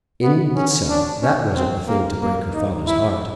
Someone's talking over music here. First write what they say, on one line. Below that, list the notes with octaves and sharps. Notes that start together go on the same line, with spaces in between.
In itself that wasn't a thing to break her father's heart.
B3
C#4
D4
C#4
C4
A#3
A#3
D#4
E4